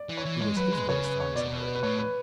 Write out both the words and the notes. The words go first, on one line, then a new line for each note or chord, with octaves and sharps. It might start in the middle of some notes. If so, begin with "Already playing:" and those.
It was his voice Franz had heard.
Already playing: D5
E3
C#5
E3
G#3 C#5
F#3 B4
G#3 B4
C#3 C#5
B4
C#5
B2 D5
B4
B4
A2 C#5
B4